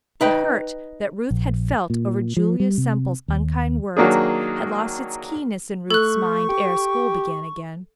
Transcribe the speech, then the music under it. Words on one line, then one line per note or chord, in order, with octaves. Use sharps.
The hurt that Ruth had felt over Julia Semple's unkind words had lost its keenness in Ruth's mind ere school began again.
D#4 B4 G5
A#1
A#2
F3
G3
C3
D#2
D#3 F#3 A#3 D4 G#4
A3 A4 C#6 F#6
G4